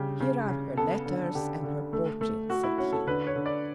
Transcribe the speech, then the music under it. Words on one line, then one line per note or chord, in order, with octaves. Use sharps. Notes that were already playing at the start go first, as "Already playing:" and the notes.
"Here are her letters and her portrait," said he.
Already playing: C#3 G3 G4
C#3
C#3
B3 A4
D3
D3 G4
D3
A3
A3
A3 F#4
E4
C#4 F#4
A4
D3 B4
C#5
D3
D5